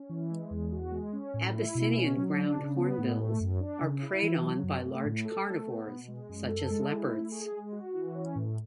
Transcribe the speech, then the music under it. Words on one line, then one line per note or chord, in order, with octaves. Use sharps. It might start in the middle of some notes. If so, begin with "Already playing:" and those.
Abyssinian ground hornbills are preyed on by large carnivores, such as leopards.
Already playing: C#4
E3
G#3
E2
F#4
G#3
C#4
A2
E4
B2
C#4
F#3
D4
C#3
B3
A2
A3
F#2
D4
C#3
E4
E3
F#3
F#2
A3
A2
A4
A3
B3
B2
G#3
F#2
A4
G#3
E4
A3
G#4
G#3
F#4
E3
C#4
A2